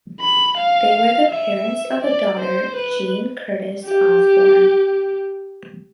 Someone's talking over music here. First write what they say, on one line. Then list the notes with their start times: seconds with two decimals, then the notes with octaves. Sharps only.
They were the parents of a daughter, Jean Curtis Osborne.
0.20 B5
0.57 F5
1.30 E5
2.02 D5
2.39 C5
2.76 B4
3.85 G4